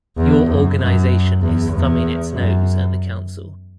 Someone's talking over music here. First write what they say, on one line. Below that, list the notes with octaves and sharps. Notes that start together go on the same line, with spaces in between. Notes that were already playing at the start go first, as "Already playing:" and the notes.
Your organization is thumbing its nose at the council.
E2
F#2
F#2
E2
E2
F#2